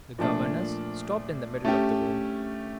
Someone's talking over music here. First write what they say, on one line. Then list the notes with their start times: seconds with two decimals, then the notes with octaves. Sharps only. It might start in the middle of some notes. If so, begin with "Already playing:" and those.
The governess stopped in the middle of the room.
0.18 A#2 F3 A3 D4
1.65 A3 C#4 G4